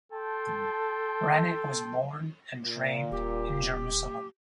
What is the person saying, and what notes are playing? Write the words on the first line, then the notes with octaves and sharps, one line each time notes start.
Granit was born and trained in Jerusalem.
A4 G5 A5 C6
A#2
D#1 G4